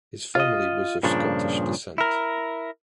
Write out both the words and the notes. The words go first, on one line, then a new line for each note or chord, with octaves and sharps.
His family was of Scottish descent.
F4 D#5
G2 A#2 C#3 F3 D4
E4 A#4